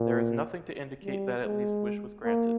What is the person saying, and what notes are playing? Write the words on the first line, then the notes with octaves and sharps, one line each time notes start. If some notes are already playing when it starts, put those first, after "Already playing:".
There is nothing to indicate that at least wish was granted.
Already playing: A#2
G3
G#3
A#3